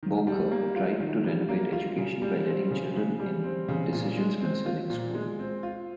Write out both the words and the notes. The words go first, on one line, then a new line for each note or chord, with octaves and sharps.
Boeke tried to renovate education by letting children in on decisions concerning school.
D#3
G3
A#3
F4
D#3
G3
A#3
F4
C#3
G3
C4
C#3
C#3
G3
C4
C#3
A#2
G#3
C4
F4
A#2
G#3
C4
F4